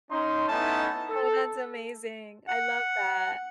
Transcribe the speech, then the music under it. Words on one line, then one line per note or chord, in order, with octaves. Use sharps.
Oh, that's amazing, I love that.
C#4 D#4 C6
A3 B3 C#4 D#4 E4 A5
A4
F#5